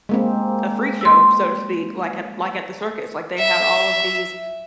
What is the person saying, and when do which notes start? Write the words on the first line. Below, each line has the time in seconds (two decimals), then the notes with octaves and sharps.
a freak show, so to speak, like at like at the circus, like, they had all of these
0.09 G#3 A#3 C4
1.01 C6 E6
3.38 E5